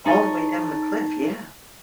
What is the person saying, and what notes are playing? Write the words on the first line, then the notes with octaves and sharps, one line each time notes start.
All the way down the cliff, yeah.
D#4 G#4 A4 B4 C#5 D#5